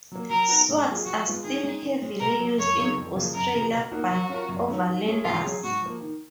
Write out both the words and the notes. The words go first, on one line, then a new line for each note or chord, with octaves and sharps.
Swags are still heavily used in Australia, by overlanders.
F#3 A#3
F#3 A#4
B3 D#4 F#4
G#2
F#3 A#3 F4 G#4
F3 F#4
G#3 B3 F4
D#3 G#4
G#3 D#4
D#3
G#3 C#4
B2 A#4
F#3 A#3
F#2 C#5
C#3 F#3 B3 D#4
F2
C#3 F3 A#3
F#2 A#4
C#3 F3
B2
A#3 D#4 F#4 A#4
F#3 F#4
C#4 F4 A#4
F#2
D#3 F#3 C#4
D#3
G#3 C#4 G#4
G#2 F4
F#3 C#4 G#4
G#2 F#4
F3 A#3
D#3